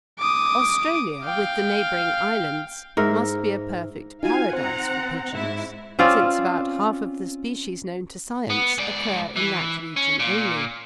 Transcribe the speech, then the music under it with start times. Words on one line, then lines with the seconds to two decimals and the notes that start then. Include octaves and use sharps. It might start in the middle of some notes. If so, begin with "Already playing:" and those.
Australia, with the neighbouring islands, must be a perfect paradise for pigeons, since about half of the species known to science occur in that region only.
0.19 D6 D#6
1.24 F5 G5
2.97 G#2 A#4 E5
4.23 D#4 F4 F#4 F5 G#5
4.53 C4 C5 F#5 A#5
5.32 G#2 E4
5.99 C4 C#4 F4 D5
8.50 B3
8.78 G#2 D5
9.37 E3
9.96 C#4
10.20 A#2